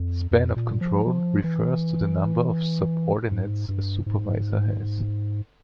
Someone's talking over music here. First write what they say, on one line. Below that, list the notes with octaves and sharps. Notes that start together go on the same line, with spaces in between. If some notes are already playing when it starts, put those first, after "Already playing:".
Span of control refers to the number of subordinates a supervisor has.
Already playing: F2
F2
A#2
F3
F3
E3
G#2
G2
G#2